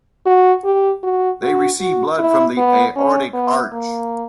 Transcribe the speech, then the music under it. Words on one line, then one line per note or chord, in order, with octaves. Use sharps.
They receive blood from the aortic arch.
F#4
G4
F#4
F#4
F#4
E4
B3
C#4
B3
A#3